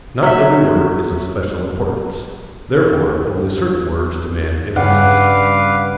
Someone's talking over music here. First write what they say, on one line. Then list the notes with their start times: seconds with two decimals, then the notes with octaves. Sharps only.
Not every word is of special importance--therefore only certain words demand emphasis.
0.23 F#3 E5
4.76 G2 C#3 D4 B4 F5 F#5 D6